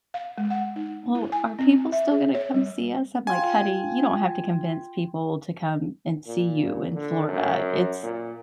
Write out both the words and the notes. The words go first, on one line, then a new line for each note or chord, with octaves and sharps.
"Well, are people still gonna come see us?" I'm like, "Honey, you don't have to convince people to come and see you in Florida, it's"
F5
G#3
F#5
D#4
E4
G#5
C4
E5
G#4
C#5
G3
F4 G5 G#5
A#2
D3
F#2
A#2